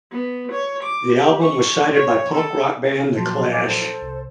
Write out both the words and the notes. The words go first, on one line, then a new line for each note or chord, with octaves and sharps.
The album was cited by punk rock band The Clash.
B3
C#5
D6
G4
C#6
C#5
A4
A#2 F3 F#3 A5 C6
F5 G#5 D6
A4 C5
C2